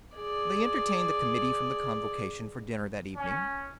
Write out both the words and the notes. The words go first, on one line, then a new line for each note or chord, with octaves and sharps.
They entertained the committee from the Convocation for dinner, that evening.
G#4 D5
C#4